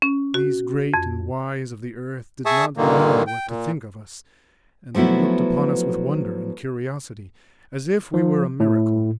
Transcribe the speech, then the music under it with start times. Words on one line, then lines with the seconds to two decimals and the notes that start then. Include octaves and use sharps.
These great and wise of the earth did not know what to think of us, and they looked upon us with wonder and curiosity, as if we were a miracle.
0.02 C#4
0.34 F#4
0.94 F2
2.46 G#4 E5 G#5 A5 C#6 D#6
2.77 G2 A#2 D3 D#3 A#3
3.27 G5
3.48 A#2
4.95 F3 F#3 A3 B3 E4
8.14 F3
8.60 A2